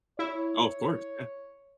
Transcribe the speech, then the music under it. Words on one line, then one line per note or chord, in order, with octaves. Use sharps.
Oh, of course, yeah.
E4 C#5